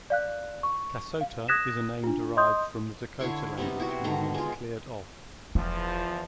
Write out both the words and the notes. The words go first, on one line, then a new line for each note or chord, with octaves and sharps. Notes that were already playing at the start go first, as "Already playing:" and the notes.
Kasota is a name derived from the Dakota language meaning "cleared off".
D5 F5 F#6
C#6
F5
D#6 F#6 G#6 A#6 B6 E7
D4 F4
D#5 C6 D#6 G6
D3 E4 C#5 C6
C3 G3 B3 D#4
E4 F#4
B2 D3 D#3 A#5
G#3 F4
E1 E2 F3 F4